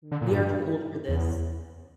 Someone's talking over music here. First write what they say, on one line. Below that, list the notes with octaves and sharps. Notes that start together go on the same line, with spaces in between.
We are too old for this
D3
A#2
G2
E2